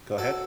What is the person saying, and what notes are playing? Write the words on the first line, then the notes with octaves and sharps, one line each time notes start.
Go ahead.
F#3 A4